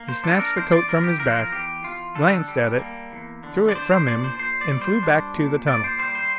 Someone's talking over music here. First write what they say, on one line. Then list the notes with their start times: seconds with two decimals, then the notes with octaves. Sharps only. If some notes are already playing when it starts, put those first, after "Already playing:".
He snatched the coat from his back, glanced at it, threw it from him and flew back to the tunnel.
Already playing: A#3
0.08 C5
0.23 D4 A4
0.40 A#4
0.56 E2 C5
0.72 D5
0.88 E3 A#4
1.04 G4
1.20 F3 A#4
1.28 C5
1.36 A#4
1.51 E2 G4
1.84 E2 F4
2.15 D3 A4
2.48 G3
2.79 A#3
3.12 E2
3.43 D3
3.69 D5
3.75 D4 C5
3.92 C5
4.08 A#2 D5
4.24 C5
4.39 A#2 C5
4.61 D5
4.72 G3
4.82 C5
5.03 D4
5.35 A#2
5.68 A#2 D5
5.84 C5
5.99 G3 C5
6.15 C5